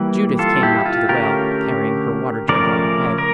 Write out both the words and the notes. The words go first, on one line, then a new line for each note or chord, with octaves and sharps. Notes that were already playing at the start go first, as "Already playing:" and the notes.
Judith came out to the well, carrying her water-jug on her head.
Already playing: E3 G3 A#3
F4 A4
E4 G4
F4
D3 A3 C#4 G4 A#4
C#3 F3 A3 C#4 A#4 D5
A#4